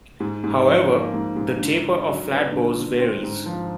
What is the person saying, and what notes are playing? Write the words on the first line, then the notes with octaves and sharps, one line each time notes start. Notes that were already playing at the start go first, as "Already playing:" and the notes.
However, the taper of flatbows varies.
G#2
G#2
F3
A#3
G#2
G#2
D3
D3
F#3
B3
D3
D3
C4
G#2
F3